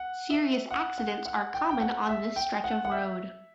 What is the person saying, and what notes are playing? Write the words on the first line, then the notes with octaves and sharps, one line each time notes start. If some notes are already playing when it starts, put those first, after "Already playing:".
Serious accidents are common on this stretch of road.
Already playing: F#5
E5
F#5
F#5
F#5
G5
G5
F#5
E5
G5
F#5
F#5
E5